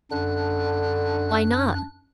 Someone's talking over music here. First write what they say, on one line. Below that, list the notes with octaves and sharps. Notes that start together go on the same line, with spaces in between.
"Why not?"
F#2 D3 D4 F#6